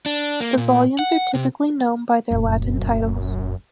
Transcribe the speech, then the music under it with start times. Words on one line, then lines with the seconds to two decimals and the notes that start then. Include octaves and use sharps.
The volumes are typically known by their Latin titles.
0.06 D4
0.40 A#3
0.58 A#2
0.99 F#5
1.35 C3
2.31 F1 A#1 F#2